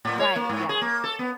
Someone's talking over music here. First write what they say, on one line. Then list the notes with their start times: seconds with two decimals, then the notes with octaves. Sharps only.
Right, yeah.
0.05 A2
0.20 C#5
0.36 A#3
0.49 G#2
0.69 G#4
0.81 A#3
1.04 A4
1.19 B3